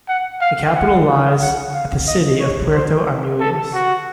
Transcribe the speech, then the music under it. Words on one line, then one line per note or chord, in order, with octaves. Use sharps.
The capital lies at the city of Puerto Armuelles.
F#5
F5
F#5
F#5
F5
D#5
C#5
C5
A4
F#4